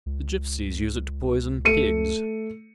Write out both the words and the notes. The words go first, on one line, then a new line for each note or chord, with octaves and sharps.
"The gipsies use it to poison pigs."
C#2
A3 C#7 D#7